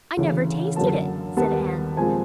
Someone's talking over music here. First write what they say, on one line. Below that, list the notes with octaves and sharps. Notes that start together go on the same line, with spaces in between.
"I never tasted it," said Anne.
D2 C#3 E3
F#2 D3 F#3 A#3 C#4 A5
D#2 D#3 G3 B3 A5
A#2 F3 G#3 C4 G#5